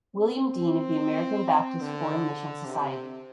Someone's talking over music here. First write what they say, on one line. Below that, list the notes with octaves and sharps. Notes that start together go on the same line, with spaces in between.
William Dean of the American Baptist Foreign Mission Society.
C4
D3
C3